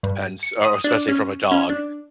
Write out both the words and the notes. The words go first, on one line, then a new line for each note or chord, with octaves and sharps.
and s or especially from a dog,
G2
C#7
D#6
D4
C#4
C#4
D4